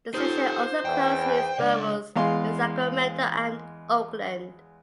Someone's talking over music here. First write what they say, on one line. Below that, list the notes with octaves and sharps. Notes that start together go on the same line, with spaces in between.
The station also closed news bureaus in Sacramento and Oakland.
D#4 F4 G4 A4 C5
E2 G5
C#3 G#3 D4 D5 F#5
E2 G#3 F5 C6